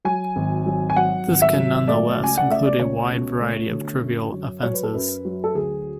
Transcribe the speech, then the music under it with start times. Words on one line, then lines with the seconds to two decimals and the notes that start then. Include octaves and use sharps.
This can nonetheless include a wide variety of trivial offences.
0.05 F#3 G#5
0.36 G#1
0.66 F#3
0.90 G#5
0.96 F#3 F#5
1.28 G#1
1.42 E5
1.57 F#3
1.88 A3 D5
2.18 C#2
2.24 G#5
2.38 F#5
2.49 A3 E5
2.66 D5
2.79 C#2 C#5
3.11 B2
3.41 A3
3.72 D3
4.02 F#2
4.32 F#3
4.63 F#3 C#5
4.74 B4
4.83 A4
4.93 F#2 B4
5.25 F#3
5.44 A4
5.54 D2 G#4